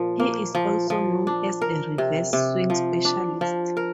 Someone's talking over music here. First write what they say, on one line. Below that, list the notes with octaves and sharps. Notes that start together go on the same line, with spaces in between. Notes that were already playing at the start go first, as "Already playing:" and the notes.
He is also known as a "reverse swing specialist".
Already playing: A#2 F3
A#3
F3
F3
D4
A#4
C3
C3
F3
D4
F3
A#4